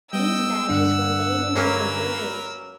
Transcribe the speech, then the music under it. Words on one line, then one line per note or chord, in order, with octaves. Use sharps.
These badges were made in different versions.
G3 B3 D#5 G5 E6
G2 D3 D4 F#5
F#3 A#3 C#4 A#4 B4